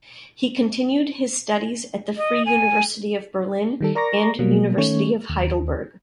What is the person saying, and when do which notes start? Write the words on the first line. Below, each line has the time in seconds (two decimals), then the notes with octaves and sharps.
He continued his studies at the Free University of Berlin and University of Heidelberg.
2.17 D#5
2.46 G#5
3.81 D#3 G3 A4
3.95 A#4 D5 A#5 C#6 D6 A#6
4.39 B2 F#3 G3 A#3
4.77 D#3 A3 C#4 C#5
5.29 D#2